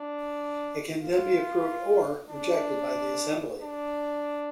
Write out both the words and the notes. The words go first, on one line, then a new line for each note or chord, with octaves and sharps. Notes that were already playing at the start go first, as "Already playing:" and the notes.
It can then be approved or rejected by the Assembly.
Already playing: D4
F4
D4
D4